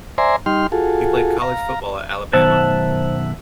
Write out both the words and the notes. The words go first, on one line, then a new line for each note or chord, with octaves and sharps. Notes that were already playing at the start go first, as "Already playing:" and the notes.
He played college football at Alabama.
C5 D5 E5 G#5 A#5 C6
G3 D#4 G5 C6 F6
F4 F#4 G#4 A4
F5 A#5
F#2 B2 D#3 C5 E5 F#5 A5